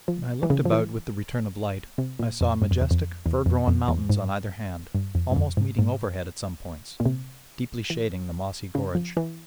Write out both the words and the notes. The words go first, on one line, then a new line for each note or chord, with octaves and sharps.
When I looked about with the return of light I saw majestic fir-grown mountains on either hand, almost meeting overhead at some points, deeply shading the mossy gorge.
F3
E3
C#3
F3
E3
C3
A#2
F2
G2
F2
E2
F2
E2
F2
F2
E2
G#2
G2
F2
G2
F2
G#2
G#2
A#2
C3
E3
C#3
F3
E3